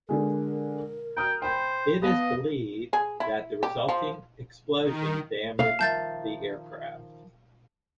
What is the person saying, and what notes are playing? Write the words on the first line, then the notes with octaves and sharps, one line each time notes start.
It is believed that the resulting explosion damaged the aircraft.
D3 G#3 A#4
G5 A#5 D#6 F6
C5 G5 B5
B3 B4 D#5 F5 A5
G#4
E4
G4
F3
D#3
F5
D#3 F3 E5 A5 G6 A6